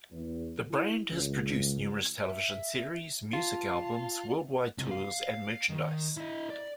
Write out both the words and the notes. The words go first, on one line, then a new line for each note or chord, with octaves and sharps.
The brand has produced numerous television series, music albums, worldwide tours and merchandise.
E2
E4
C#2
E5
F4 A5
C#2 C3
F5
D#3
E4 D#5
D5